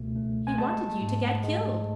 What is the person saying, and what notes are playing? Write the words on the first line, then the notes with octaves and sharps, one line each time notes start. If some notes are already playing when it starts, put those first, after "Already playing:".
He wanted you to get killed.
Already playing: C#2 B2 A3
A3
G#5
G#3 A5
G#2
G#3